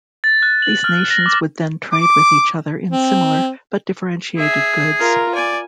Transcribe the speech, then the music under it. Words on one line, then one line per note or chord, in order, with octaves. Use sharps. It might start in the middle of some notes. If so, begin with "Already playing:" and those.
These nations would then trade with each other in similar, but differentiated goods.
A6
F#6
F#7
F6
A#6
D6
D6
C4
G#4 E5
F4 A#4
D5 G#5